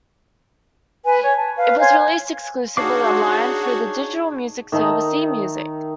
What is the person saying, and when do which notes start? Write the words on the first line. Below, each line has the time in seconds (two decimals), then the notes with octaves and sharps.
It was released exclusively online through the digital music service eMusic.
1.05 B4 G#5
1.23 C#5
1.37 A5
1.56 B4 F5
1.79 C5 C#5 F5 G#5
2.77 D4 D#4 F#4 G#4 C#5 F5 D6
4.72 D#3 D#4 E5 A5